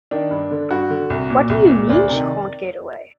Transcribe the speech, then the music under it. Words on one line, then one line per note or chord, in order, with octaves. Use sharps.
What do you mean she can't get away?
D#3 D4
G2
D3
G2 F#4
D3
C2
A#2
C2
A#2
D2 D5
C3 D#3